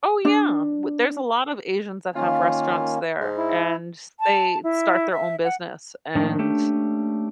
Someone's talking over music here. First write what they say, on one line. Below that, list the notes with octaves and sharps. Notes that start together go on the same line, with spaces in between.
Oh yeah! Well there's a lot of Asians that have restaurants there and they start their own business and
D4
D#3 A#3 C#4 F4
G#2
E4
A5
E4
E5
F#5
A2 D#3 F3 A#3 D4
A3 C#4 G4